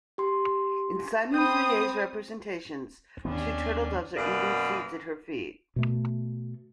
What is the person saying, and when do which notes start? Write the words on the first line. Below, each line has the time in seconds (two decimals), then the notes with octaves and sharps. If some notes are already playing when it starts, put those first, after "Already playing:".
In Simon Vouet's representations, two turtle-doves are eating seeds at her feet.
0.18 G4 C6
1.34 C4 B5 D#6 G6
3.25 D#2 D#3 B3 C#4 D4
4.16 F#2 B2 A#3 B3 D5
5.76 B2 A3